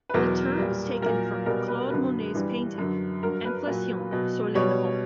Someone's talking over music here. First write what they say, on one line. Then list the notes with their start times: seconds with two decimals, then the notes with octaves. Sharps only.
The term was taken from Claude Monet's painting "Impression: soleil levant".
0.09 B4
0.14 E2 B2 F#3 A#4
0.58 A#2 G3
1.02 A#2 F#3 A#4
1.46 B2 G3 A#4
1.68 B4
1.90 F#2 D3 F#3 B4
2.34 G2 E3 G3
2.78 F#2 D3 F#3
3.23 G2 F#3 A#4
3.45 B4
3.67 A#2 F#3
4.11 B2 F#3
4.55 B2 G3 C#5